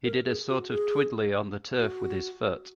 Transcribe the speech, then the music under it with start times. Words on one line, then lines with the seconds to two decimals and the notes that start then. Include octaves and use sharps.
He did a sort of twiddly on the turf with his foot.
0.04 A#4
0.26 G#4
0.48 F#4
0.69 G#4
1.78 F#4